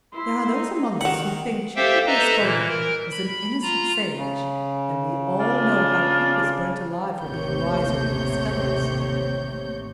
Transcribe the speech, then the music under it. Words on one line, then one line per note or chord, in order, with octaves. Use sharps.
There are those among us who think Cecco d'Ascoli was an innocent sage--and we all know how he was burnt alive for being wiser than his fellows.
E4 C6
D#4
D#3 G3 F#4 F#5
G4 A4 C5 E5 F5 G5
A4 B4 C5 D#5 E5 A#5
A#2 E3
A#4
B5
F4 A#5
C#3
D4 F4
A1 D#2 A2 C3 C#5 G6